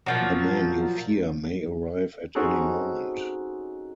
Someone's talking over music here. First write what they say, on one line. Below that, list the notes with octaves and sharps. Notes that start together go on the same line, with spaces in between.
The man you fear may arrive at any moment.
A#2 F3 F#3
C4 C#4 D#4 F#4 G#4 A4